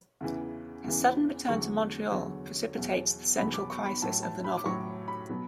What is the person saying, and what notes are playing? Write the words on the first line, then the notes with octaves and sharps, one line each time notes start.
His sudden return to Montreal precipitates the central crisis of the novel.
E2 C#3 E3
E2 C#3 E3
E2 D3 F#3 C#6
E2 D3 F#3
E2 B2 F#3
E2 B2 F#3 B5
D6
C#6
B5
A2 F#3 A5
A5
B5
D6
A2 F#3 C#6
B5
B2 F#3